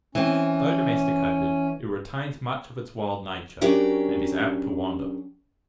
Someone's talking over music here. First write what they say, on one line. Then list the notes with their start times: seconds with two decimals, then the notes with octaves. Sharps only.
Though domesticated, it retains much of its wild nature, and is apt to wander.
0.15 E3 C4 C#4
3.61 F#3 C#4 D4 G4 A#4